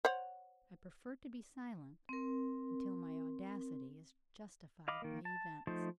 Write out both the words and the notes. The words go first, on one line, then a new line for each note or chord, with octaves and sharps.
I prefer to be silent, until my audacity is justified by events.
C5 C#5 F#5
C4 A#4
D#5 F5 B5 D6
D#3 A#3
A5
F3 A3 D#4 C5